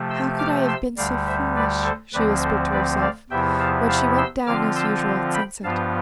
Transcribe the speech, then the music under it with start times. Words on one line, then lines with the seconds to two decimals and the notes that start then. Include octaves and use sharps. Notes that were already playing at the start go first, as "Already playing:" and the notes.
'How could I have been so foolish,' she whispered to herself, when she went down as usual at sunset.
Already playing: C3 F3 A3
0.10 C6 E6
0.39 D6 F6
0.68 C6 E6
0.97 D2 D3 G3 D5 F5
1.26 C5 E5
1.55 B4 D5
1.84 A4 C5
2.14 D2 D3 F3 C4 B4 D5
2.43 A4 C5
2.72 B4 D5
3.01 D5 F5
3.30 E2 C3 F3 B3 E4 E5 G5
3.59 F5 A5
3.88 F5 A5
4.18 C6 E6
4.47 D3 F3 C4 F4 D6 F6
4.76 C6 E6
5.34 G5 B5
5.63 G2 F3 B3 F4 F5 A5